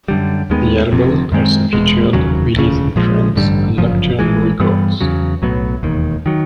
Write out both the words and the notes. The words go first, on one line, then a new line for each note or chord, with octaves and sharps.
The album also featured release in France on Nocturne Records.
F#2 D3 G3
D#2 D#3 G#3 B3
F1 F2 C3
F#2 D#3 G#3 C4
E1 E2 B2 G#3
F1 D#2 C#3 F#3
E1 D2 C#3
A#1 A#2 F3 G#3
A1 G2 D3 G3
G1 F#2 C#3 F3
A1 G#2 E3 G#3
G2 E3 G3 B3
E2 C#3 F#3
B1 A2 F#3 B3
E1 D#2 D#3
D#3 F#3